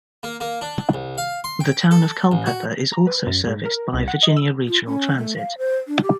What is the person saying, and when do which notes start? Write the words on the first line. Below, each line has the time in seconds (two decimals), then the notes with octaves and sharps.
The town of Culpeper is also serviced by Virginia Regional Transit.
0.23 A#3
0.40 A#3
0.61 D4
0.94 C2
1.18 F5
1.44 C6
1.61 G5
1.91 A4
2.32 A1
2.46 F#4
2.92 A#5
3.07 B4
3.27 F#2
3.47 G#2
3.65 A#4
3.94 C2
4.08 F#5
4.23 D#5
4.37 E6
4.68 F4
4.87 C#4
5.18 A3
5.38 F5
5.58 C5
5.88 D4
6.03 G4